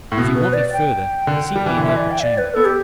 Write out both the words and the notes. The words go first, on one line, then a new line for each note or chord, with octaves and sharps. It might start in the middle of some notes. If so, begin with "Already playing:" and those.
"If you want me further, seek me in the upper chamber."
A2
B2
B4
D5
G5
D3
G3
E3
D3 E5
E3
D5
G5
E5
D5
B4
B3 A4
G4